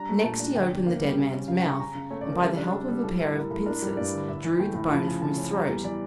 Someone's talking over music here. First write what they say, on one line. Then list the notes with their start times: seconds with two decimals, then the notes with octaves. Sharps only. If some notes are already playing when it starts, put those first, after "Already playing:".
Next he opened the dead man's mouth, and by the help of a pair of pincers drew the bone from his throat.
Already playing: G3 D4 A#5
0.09 A3
0.24 A#2 A5
0.40 D4
0.55 D3 G5
0.71 E2
0.86 A#3 F5
1.02 G3
1.17 C#3
1.33 C#4
1.48 C#3 F5
1.59 G5
1.63 C#3
1.69 C#6
1.80 C#3 A#5
1.95 C#3
2.11 A3 C#5
2.21 D5
2.26 C#3
2.32 A#4
2.41 G3 A4
2.57 D4
2.73 D4
2.88 G3
3.04 A2 A4
3.20 A2
3.35 A2 A#4
3.50 A2 A4
3.66 D4 A#4
3.82 G3
3.97 G2 D5
4.13 D3
4.28 A2 E5
4.44 E3
4.59 A3 G5
4.75 A2
4.91 F3 A5
5.06 C#3
5.22 C#3 A5
5.38 C#4
5.53 G3 A#5
5.69 E2
5.84 E3 D5